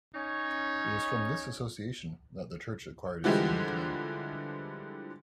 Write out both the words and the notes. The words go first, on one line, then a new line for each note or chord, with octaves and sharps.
It was from this association that the church acquired its unique name.
C#4 D#4 C#5
D3 E3 F3 G3 G#3 G4